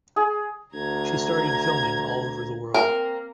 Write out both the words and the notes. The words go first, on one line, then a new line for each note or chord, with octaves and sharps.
She started filming all over the world.
G#4
D2 A#5 G#6
A#3 C4 A#4